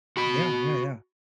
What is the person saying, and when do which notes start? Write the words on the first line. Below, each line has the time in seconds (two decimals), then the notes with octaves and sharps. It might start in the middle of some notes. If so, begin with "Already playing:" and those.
Yeah, yeah, yeah,
0.17 F#4 B5